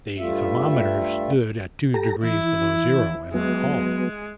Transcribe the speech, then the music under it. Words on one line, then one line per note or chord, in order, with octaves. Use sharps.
The thermometer stood at two degrees below zero in our hall.
G2 G3 A3 F4 E5
G4 A4 A#5
E3 E4
F#3 G#3 B3